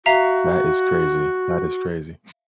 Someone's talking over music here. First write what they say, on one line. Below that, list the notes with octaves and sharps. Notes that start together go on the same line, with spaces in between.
That is crazy. That is crazy.
F#4 E5 F5 A#5